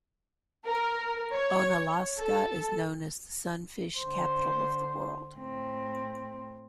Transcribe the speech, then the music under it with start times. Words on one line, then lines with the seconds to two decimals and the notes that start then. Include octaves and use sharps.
Onalaska is known as The Sunfish Capital of the World.
0.65 A#4
1.32 C#5
2.17 A4
3.97 D3 C5
5.36 A2 C4